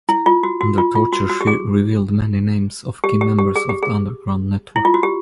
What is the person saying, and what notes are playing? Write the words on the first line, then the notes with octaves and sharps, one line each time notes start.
Under torture she revealed many names of key members of the underground network.
E4
F4
F#4
F#4
F4
F4
F#4
F#4
G4
G#4
G4
G4
G4
G#4
G4
G#4
E4
F4
F#4
G4